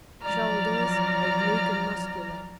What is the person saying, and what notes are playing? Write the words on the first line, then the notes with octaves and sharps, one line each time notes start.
SHOULDERS--Oblique and muscular.
F3 F#3 D5 A#5 F6